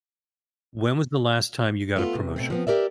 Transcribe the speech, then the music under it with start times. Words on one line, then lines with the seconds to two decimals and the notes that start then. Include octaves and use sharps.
When was the last time you got a promotion?
1.96 A3 B3 F4
2.15 C3
2.36 B2 A3 C4
2.50 F3 B3 C4
2.67 G4 A#4 D5 E5